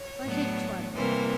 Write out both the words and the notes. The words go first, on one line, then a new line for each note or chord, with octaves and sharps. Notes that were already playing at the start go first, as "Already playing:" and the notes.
I hate twaddle.
Already playing: C#5
A2 F#3 B3 D4
C3 E3 G3 A#3 C5